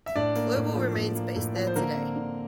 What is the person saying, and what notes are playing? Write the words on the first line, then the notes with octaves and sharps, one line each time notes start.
Global remains based there today.
E5
A2 D4 D5
A#3
A2
F3
A2
A#3
A2
F3
C5
D3 A#3 A#4
C4
D3